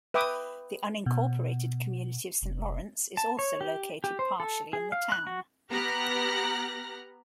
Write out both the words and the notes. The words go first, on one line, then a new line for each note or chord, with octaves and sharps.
The unincorporated community of Saint Lawrence is also located partially in the town.
B4 E5 G5 D6 D#6
B2
F1
A5
C#5
G4
G4
C5
A4
G#4
F5
F#6
F#4
B3 G4 A#5 F6 F#6 A#6